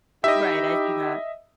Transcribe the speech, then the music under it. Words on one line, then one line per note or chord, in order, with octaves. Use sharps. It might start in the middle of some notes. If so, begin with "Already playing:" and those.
Right, I do that.
D#4 E4 G4 D#5 E5